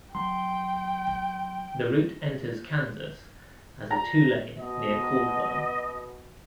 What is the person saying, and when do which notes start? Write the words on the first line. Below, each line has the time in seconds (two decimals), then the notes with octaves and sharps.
The route enters Kansas as a two-lane near Caldwell.
0.15 F#3 G5 C6
3.90 A#5
4.58 B2 D#5